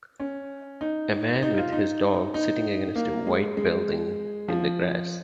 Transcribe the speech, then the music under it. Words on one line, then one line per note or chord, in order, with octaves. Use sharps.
A man with his dog sitting against a white building in the grass.
C#4
D#4
D#4
F4
D#4
D#4
A#3
G#3
G#3
F3